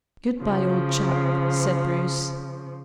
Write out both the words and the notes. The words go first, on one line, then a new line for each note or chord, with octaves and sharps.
"Good-bye, old chap," said Bruce.
C#3 F3